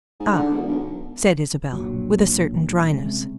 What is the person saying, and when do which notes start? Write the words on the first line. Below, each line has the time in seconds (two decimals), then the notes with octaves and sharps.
"Ah!" said Isabel with a certain dryness.
0.20 G#2
0.33 D3
0.51 E1
0.68 B1
1.73 B1 G2 A#2 F#3
2.90 C3 G#3 C#4